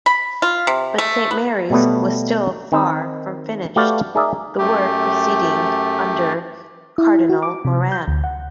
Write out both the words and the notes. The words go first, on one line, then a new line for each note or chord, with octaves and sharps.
But Saint Mary's was still far from finished, the work proceeding under Cardinal Moran.
B5
F4
C3
A3
B3
B2 F#3 G3 A3 B3
D#3 C4 D#4
A3 F#4 G4 B4 D5 F5
D#4 G#4 A#4 D5 E5
F#2 A3 G4
E4
F#4
D6
C3
G6
D2
F#5